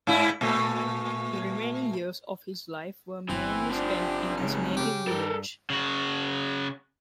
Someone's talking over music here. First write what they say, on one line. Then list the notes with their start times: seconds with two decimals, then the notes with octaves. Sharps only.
The remaining years of his life were mainly spent in his native village.
0.07 G#2 E4
0.41 A#2 A3
3.30 G1 E3 C4
3.71 C3 F3 D4
4.37 C#3 G#3 D#4
4.77 C#3 G4
5.07 G2 A4 A#4
5.70 C#3 F#4